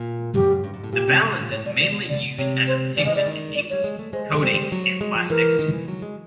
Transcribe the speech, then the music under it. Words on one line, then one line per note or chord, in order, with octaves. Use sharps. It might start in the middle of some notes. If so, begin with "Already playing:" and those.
The balance is mainly used as a pigment in inks, coatings and plastics.
Already playing: A#2
F#2 G4
G2
G#2
A2
A#2 G4
C3
C3
B2
A#2
A2 C#5
B2 D5
D5
D5
C3 C#5
C5
C#3 D5
E3 D#5
G#3 D5
D#3
D5
G3 C#5
G#3
A3
G#3 C5
G#3
G3 C5
F#3
G#3
F3
E3 A#4
D#3
E3
F#3
G#3